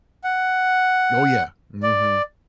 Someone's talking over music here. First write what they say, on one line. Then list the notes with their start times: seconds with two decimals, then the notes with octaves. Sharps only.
Oh, yeah. Mhm.
0.24 F#5
1.83 D5